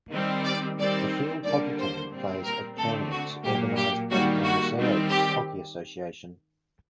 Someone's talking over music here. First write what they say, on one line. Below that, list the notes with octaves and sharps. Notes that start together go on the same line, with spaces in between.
The field hockey team plays at tournaments organised by the Buenos Aires Hockey Association.
D#3 G3 C4
D5
D#3 G3 C4 D5
D3 G3 A#3 D5
C5
A#2 G3 C4
A#4
D3 A3 C4 A4
F#4
A#2 F#3 A#3 G4
G4
D#3 G3 A#3 F#4
F#4
D#3 G3 C4
G4